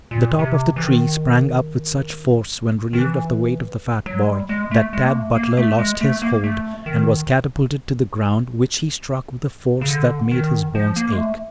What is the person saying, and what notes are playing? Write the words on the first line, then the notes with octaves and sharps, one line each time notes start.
The top of the tree sprang up with such force, when relieved of the weight of the fat boy, that Tad Butler lost his hold and was catapulted to the ground, which he struck with a force that made his bones ache.
A#2
C3
E3
D#3
D#3
E3
F#3
G#3
G3
G#3
A3
G#3
A#3
A3
A#3
A3
G#3
A3
A#3
A3
D#3
C#3
D3
D#3
F3
A#3
G#3
A3